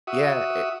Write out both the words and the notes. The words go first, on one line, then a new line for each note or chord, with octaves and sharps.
Yeah, a
F#4 E5 D#6